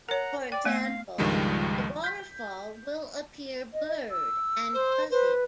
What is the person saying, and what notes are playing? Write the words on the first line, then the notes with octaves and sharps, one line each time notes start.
For example, a waterfall will appear blurred and fuzzy.
A#4 C#5 F#5 A#5
D5 G5
A3 B3 E5 G#5
F5
C#2 G2 D#3 F3 G3 G#3
G6 B6
D#5
E6
C5
B4 C5